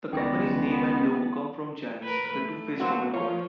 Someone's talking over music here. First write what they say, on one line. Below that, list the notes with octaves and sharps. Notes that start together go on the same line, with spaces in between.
The company's name and logo come from Janus, the two-faced Roman god.
C#2 D#3 B3 D5 G5 A#6
A#4 B4
A3
F#3 A#3 C4 F#4
F3 F4 C#5